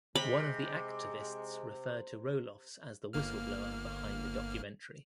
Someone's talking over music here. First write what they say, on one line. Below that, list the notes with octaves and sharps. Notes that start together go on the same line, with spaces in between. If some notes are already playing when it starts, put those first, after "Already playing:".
One of the activists referred to Roelofs as the "whistleblower" behind the documentary.
C3 G#3 B5
G1 A#3 F6